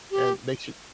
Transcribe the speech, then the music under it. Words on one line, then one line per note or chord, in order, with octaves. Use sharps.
and they should.
G4